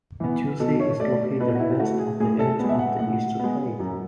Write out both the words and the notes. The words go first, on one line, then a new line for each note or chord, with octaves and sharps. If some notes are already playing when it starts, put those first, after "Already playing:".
Ducie is located west of the edge of the Easter Plate.
E3 B3
B2 A4
C#5
A3 D5
B2 B4
F#4
E4
A3 F#4
G#4
A2 G#4
A4
G#3 B3
E5
F#5
A2 F#5
G#3 B3
F#2